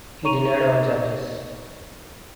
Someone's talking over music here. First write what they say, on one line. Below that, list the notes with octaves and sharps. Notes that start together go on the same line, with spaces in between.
He denied all charges.
D#4 C#5 A#5 C#6 D#7 F7